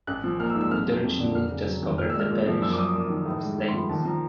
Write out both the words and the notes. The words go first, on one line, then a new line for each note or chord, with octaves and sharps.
It originally just covered the parish of Staines.
A1 F#6
F3
A#3 F6
E6
G#2
E6
F2 F6
F#3
F2
D3
F1 F6
C#3
F#3
D#2
A#2 F6
E6
G#3
F6
A#2
F3
F#2 E6
D6
F#3 D#6
F#2 D6
D#3
A2
G#3
A2
C6
F3
B5
D#2 A5
F3 A#5